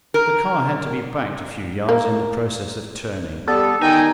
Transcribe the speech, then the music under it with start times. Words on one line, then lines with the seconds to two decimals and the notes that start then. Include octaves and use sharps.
The car had to be backed a few yards in the process of turning.
0.14 A#4
1.89 A#3
3.48 G3 B3 A4
3.81 D#3 D#4 G5 G#5